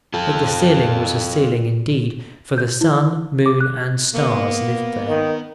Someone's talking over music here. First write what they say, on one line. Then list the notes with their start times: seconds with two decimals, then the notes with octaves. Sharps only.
But the ceiling was a ceiling indeed; for the sun, moon, and stars lived there.
0.14 F4 A4
2.58 G6
2.81 E4
3.46 D6
3.61 F#6
4.14 A#3 B3
5.08 D#3